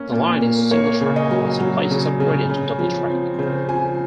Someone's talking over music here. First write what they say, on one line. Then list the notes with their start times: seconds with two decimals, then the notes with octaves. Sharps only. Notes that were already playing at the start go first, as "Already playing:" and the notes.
The line is single track with some places upgraded to double track.
Already playing: A#3 C#4
0.12 A#2
0.41 A#3
0.71 A#3 C#5
1.01 C#3
1.16 D#5
1.31 F#3
1.60 F#3
1.91 C#3
2.20 C#3
2.49 C#3
2.79 F3
3.09 C4
3.39 C#3 C5
3.68 F3 G#5